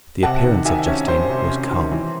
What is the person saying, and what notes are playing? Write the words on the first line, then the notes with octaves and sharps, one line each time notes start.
The appearance of Justine was calm.
C3 F#5 A5
D#3
D#3 E5 G#5
C#4
C#4 C5
C3
C#4
D#3
E3